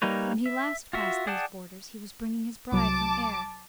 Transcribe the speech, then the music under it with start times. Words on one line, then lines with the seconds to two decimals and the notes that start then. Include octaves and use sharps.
When he last passed these borders, he was bringing his bride from Ayr!
0.02 G3 A#3 D#4 B4 C#5
0.46 E5
0.93 F4 F#4 E5
1.27 G#4 D5 F#5 G5 A5
2.72 C2 F#3 A5 D6